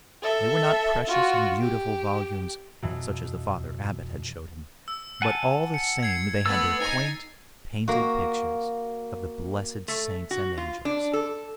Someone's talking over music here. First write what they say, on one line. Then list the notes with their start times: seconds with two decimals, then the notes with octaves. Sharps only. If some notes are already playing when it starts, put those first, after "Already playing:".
They were not precious and beautiful volumes, such as the Father Abbot had showed him, but all the same they had their quaint painted pictures of the blessed saints and angels.
0.22 A4 E5
1.07 F4 F#4
1.60 G4
2.83 F2 B2 E3 F#3
4.88 E6
5.22 F#5 G#5 A5
5.74 C#7
6.03 G#6 C7 C#7
6.46 A3 B3 B4 E6 G#6 A6
6.80 D#4 G#5 A#5
7.88 A#3 F#4
9.88 A3
10.31 F#4
10.58 F4
10.85 D4
11.13 A4